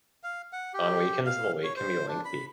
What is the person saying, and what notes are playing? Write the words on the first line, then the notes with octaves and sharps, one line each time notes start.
On weekends the wait can be lengthy.
F5
F#5
G4
F5
C#5
C5
D4
B5